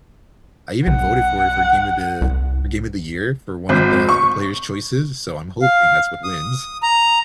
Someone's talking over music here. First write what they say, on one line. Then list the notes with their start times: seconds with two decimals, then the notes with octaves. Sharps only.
I even voted for it for Game of the for Game of the Year for one of the the Player's Choices, so I'm hoping that's what wins.
0.87 B1 F#5
2.21 C2
3.69 G#1
4.09 C#6
5.62 F5
6.24 D#6
6.83 A#5